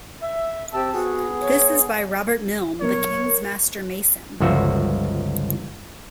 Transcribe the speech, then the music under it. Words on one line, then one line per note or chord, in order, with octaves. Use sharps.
This is by Robert Mylne the King's Master Mason.
E5
C4 G4 A5 E6
B3 F#4 G#4
C#5
F#2 B2 A#4 C#5
G1 C#2 F3 F#4 E5